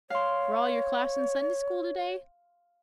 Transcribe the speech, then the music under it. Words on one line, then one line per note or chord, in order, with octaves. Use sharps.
"Were all your class in Sunday School today?"
C#5 F5 C6